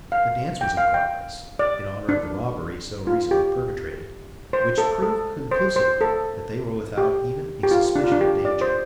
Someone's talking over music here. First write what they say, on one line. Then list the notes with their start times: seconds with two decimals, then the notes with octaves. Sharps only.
A dance was in progress in honor of the robbery so recently perpetrated, which proved conclusively, that they were without even a suspicion of danger.
0.12 F5
0.61 G5
0.77 F5
0.94 G5
1.59 D5
2.09 D4
3.07 F4
3.31 G4
4.53 C5
4.78 A4
5.02 A4
5.51 C5
5.76 C5
6.01 A4
6.98 G4
7.63 G4
7.71 F4
7.96 D4
8.04 F4
8.12 D4
8.21 G4
8.45 D5
8.61 C5